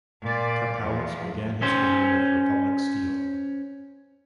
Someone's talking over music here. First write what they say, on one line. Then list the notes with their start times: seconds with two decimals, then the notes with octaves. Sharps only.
Capellas began his career at Republic Steel.
0.22 A#2 D5
0.77 E2 F3
1.62 C#4 C5